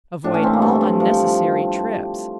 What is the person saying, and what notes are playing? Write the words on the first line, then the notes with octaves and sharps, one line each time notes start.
Avoid all unnecessary trips.
A2 D4
C#4
E3 C4
A#3
G2 A3
G2
F3